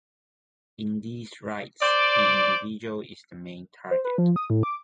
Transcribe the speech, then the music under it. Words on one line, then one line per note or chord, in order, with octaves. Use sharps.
In these rights, the individual is the main target.
C5 D5
C5
B4
F3
D#6
A2
D6